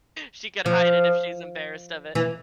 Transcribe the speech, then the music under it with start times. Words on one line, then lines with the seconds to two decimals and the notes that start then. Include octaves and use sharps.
she could hide it if she's embarrassed of it.
0.66 F3
2.15 E3